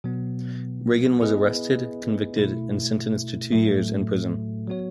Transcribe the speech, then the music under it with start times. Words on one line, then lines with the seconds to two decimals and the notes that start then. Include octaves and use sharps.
Regan was arrested, convicted, and sentenced to two years in prison.
0.04 B2 F#3 B3
1.20 B3 E4 G#4 B4 D#5
2.36 B2 A3 E4
3.52 A2 F#3 A3
4.68 F#3 B3 F#4 C#5